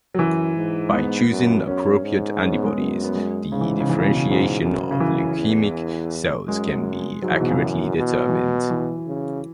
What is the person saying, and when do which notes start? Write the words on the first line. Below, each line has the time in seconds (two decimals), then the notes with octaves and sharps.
By choosing appropriate antibodies, the differentiation of leukemic cells can be accurately determined.
0.14 F#3
0.19 F#2 E3
0.56 G#2
0.89 G#3
0.93 B3
1.30 F#2
1.67 F#2 C#4
2.04 G#2
2.42 C#4
2.52 B3
2.64 G#3
2.76 F#2 B3
3.03 B3
3.15 G#3
3.52 G#2 C#3
3.61 E3
3.80 C#3
3.89 E3
3.99 C#3
4.07 B2
4.17 C#3
4.26 G#2
4.63 F#2
4.91 C#3
5.00 F#2 E3
5.37 E2
6.48 F#2 G#3
7.22 G#2 F#3
7.31 E3
7.41 B2
7.50 C#3
7.59 F#2 E3
7.97 B2
8.29 E3
8.33 F#3
8.70 E3
9.07 C#3